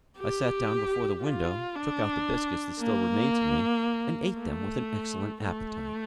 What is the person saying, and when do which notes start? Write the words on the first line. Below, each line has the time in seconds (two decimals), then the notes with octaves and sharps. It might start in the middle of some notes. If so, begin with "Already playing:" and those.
I sat down before the window, took out the biscuits that still remained to me, and ate them with an excellent appetite.
0.18 G4
1.23 F4
1.75 D4
2.80 A#3
4.38 A3
5.43 A3